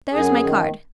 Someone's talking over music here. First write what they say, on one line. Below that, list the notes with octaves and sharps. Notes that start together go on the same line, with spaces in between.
There's my card.
F#2 G#4
D#3